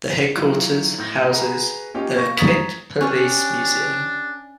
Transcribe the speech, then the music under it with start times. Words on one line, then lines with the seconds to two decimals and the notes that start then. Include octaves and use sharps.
The headquarters houses the Kent Police Museum.
0.35 D#3 F#3 E4 F4
0.99 A2 G6 A#6
1.30 F#4 G#4 B4 A#5
1.94 A#3 C#4 D#4 F4 G4
2.15 A#3 C#6 A#6
2.37 A#5 C#6 D#6 G#6 A6 B6
3.01 C#4 D4 G4 C#5